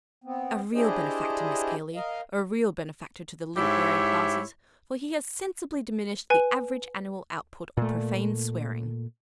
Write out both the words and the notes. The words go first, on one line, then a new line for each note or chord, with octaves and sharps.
'A real benefactor, Miss Cayley; a real benefactor to the link-wearing classes; for he has sensibly diminished the average annual output of profane swearing.'
B3 C4
D4 E4 G4 G#4 C5 D#5
A#4 D#5 F5
G#2 E4 G4 C#5 E5
B4 G#5
A#2 A3